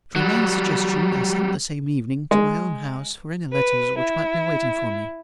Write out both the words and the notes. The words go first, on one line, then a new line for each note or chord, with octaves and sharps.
At Romayne's suggestion, I sent the same evening to my own house for any letters which might be waiting for me.
F#3 G3
G#3
B4
E4